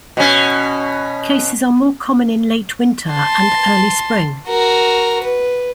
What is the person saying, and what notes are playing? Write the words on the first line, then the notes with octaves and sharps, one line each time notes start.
Cases are more common in late winter and early spring.
B2 C#4
A5 C6
F#4 A#4
B4